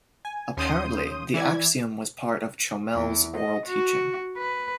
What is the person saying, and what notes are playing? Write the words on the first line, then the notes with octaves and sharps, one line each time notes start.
Apparently, the axiom was part of Chomel's oral teaching.
G#5
D#2 C#4 C6 D#6 G6 D#7
E3 E4 D5 G#6
E2
D#5
F#4
B4